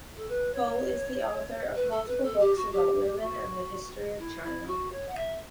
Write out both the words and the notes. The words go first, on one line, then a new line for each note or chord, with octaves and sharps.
Ho is the author of multiple books about women and the history of China.
A4
B4
C#5
B4
A4
B4
A4
G4
F#4
G4
F#4
E4
E4
F#4
C#5
F#5
E5